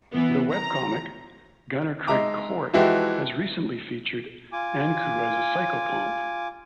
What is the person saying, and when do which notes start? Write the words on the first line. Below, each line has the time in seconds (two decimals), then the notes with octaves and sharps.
The webcomic "Gunnerkrigg Court" has recently featured Ankou as a psychopomp.
0.13 E3 B3
0.50 A#5
2.07 G#3 D#4 E5 A#5 D6
2.74 E3 F3 G#3 E4 F#4 G4
4.52 F4 G#5 D6